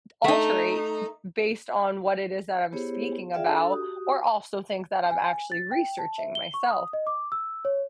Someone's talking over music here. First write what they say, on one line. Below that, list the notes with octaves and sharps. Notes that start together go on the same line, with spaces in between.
d alterate b based on what it is that I'm speaking about, or also, things that I'm actually researching myself,
A3 D#4
B3 E4 G4 G#4 C5 C#5
F4 G#4 D5 E5 F5 G5
D4 A4 E6
F#4 G4 D#6
G#5
A6
G5
A5
E5
G7
C#6
D#6
D#5
D6
E6
C#5